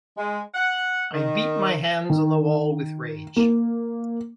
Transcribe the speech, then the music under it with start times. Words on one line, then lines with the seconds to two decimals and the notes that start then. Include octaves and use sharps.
I beat my hands on the wall with rage.
0.17 G#3
0.54 F#5
1.13 D#3
2.10 D#3
3.36 A#3